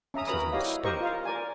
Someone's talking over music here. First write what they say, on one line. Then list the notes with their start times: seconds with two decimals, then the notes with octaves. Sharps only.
This is a mistake.
0.14 C#4 E5 A#5 D#6
0.27 F#4 A#4 B4 A#5 B5 D#6
0.52 E4 F#4 G4 C#5 D#5 F5
0.84 G4 A#4 C5 D#5 C#6
1.01 F4 A#4 F5
1.25 A#4 D5 G#5